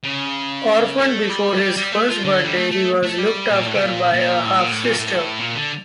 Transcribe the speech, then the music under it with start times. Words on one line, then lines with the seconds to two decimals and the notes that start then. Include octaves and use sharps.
Orphaned before his first birthday, he was looked after by a half-sister.
0.04 C#3
0.99 A3
1.30 G3
1.57 A3
1.61 G3
1.77 G3
1.92 A3
2.08 F3
2.24 D3
2.45 G3
2.56 A3
2.72 A3
3.03 A3
3.19 G3
3.50 A#2
3.66 A2
3.75 C#3
3.82 A#2
4.13 A#2
4.45 A2
4.58 A#2
4.71 A2
4.84 A#2
4.97 A2
5.39 A#2
5.55 D3